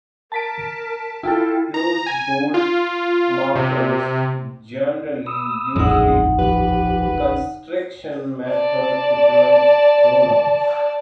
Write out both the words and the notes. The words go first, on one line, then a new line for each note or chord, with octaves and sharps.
Closed bolt markers generally use the constriction method to prevent "roll outs".
A#4 A5 B6 D7
E4 F4 A4 G5
A#5
G#5
F4
C3
B5 D#6 E6
D#1 A1 F2 G#3 D#4 F#5
F3 G4 B4
D5 A5